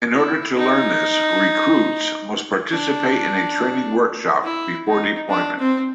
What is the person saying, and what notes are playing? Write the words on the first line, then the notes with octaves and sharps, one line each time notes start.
In order to learn this 'recruits' must participate in a training workshop before deployment.
E4
D#4
D4
E4
D#4
D4
C4